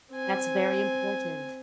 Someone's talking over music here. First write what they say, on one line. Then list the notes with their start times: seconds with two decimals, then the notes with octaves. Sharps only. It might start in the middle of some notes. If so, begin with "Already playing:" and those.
That's very important.
0.11 C4 G#5